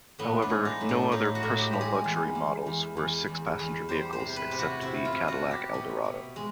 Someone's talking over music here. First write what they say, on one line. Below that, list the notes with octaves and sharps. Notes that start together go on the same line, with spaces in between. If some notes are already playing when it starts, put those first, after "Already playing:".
However, no other "personal luxury" models were six-passenger vehicles, except the Cadillac Eldorado.
A2 B3
D4
G#3
D#4
A2
D4
A2 D#4
F#4
A2
G4
G#3
G#4
E2
E2
E2
E2
E2
E2
G3 C5
C5
C3
B4
C3
F#4
C3 E4
F4
C3
F#4
C3
G4
B2
B2
G#3